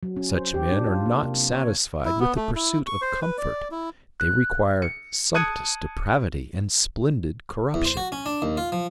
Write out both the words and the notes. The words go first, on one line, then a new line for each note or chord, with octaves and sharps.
Such men are not satisfied with the pursuit of comfort; they require sumptuous depravity and splendid corruption.
F#3
C#4
C5
G4
D4
F4
A#3
C3
C#5
E4
B3
A3
E4
C#6
C5
B4
D5
E4
F#6
C#7
A5 D#6 F#6 G#6 C#7 D#7
E2
C5
F#4
C#4
D4
D#2
F4
F3